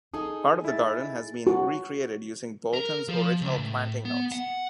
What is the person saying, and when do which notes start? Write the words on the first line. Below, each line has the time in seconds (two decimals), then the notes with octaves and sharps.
Part of the garden has been recreated using Boulton's original planting notes.
0.14 D#4 G#4 A4 D#6
0.65 E4 A6
1.47 F#4
2.74 A#4
3.08 F3
3.41 C#2
3.58 A2
4.05 B3
4.32 F#5